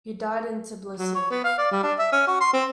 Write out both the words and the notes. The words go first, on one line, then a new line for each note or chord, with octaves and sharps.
He died in Tblisi.
F#3
C#5
B3
F5
D5
G3
D4
E5
C#4
F#4
C6
C4